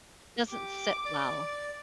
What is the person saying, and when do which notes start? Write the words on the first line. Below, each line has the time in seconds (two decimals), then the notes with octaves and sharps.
doesn't sit well,
0.51 G4 D6
1.06 D5